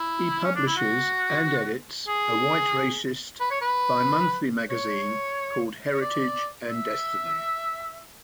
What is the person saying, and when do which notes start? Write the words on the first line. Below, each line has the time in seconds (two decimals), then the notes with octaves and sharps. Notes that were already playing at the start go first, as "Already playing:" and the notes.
He publishes and edits a white racist bimonthly magazine called "Heritage and Destiny".
Already playing: E4
0.44 C#4
0.55 D4
0.67 E4
0.77 F#4
2.08 G#4
3.40 B4
3.51 C#5
3.61 B4
4.70 C#5
5.93 C#5
6.01 D5
6.67 E5